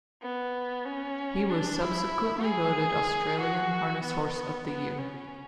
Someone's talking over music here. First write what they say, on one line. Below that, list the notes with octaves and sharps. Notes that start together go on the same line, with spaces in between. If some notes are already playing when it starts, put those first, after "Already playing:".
He was subsequently voted Australian Harness Horse of the Year.
B3
C#4
D4
E4
G#4
F#4
B3
B3
C#4